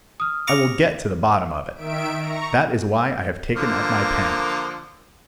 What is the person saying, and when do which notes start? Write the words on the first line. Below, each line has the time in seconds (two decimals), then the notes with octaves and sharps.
I will get to the bottom of it! That is why I have taken up my pen....
0.20 D#6 F6
0.48 A#5 C#6 D6
1.75 D#3 E5 D7
2.21 A#5 C#6
3.56 D3 F3 A#3